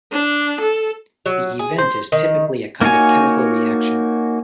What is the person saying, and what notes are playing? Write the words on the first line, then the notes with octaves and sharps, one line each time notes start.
The "event" is typically a kind of chemical reaction.
D4
A4
F#3
G#4
C5
D#3
A#3 D#4 F#4 C#5 G#5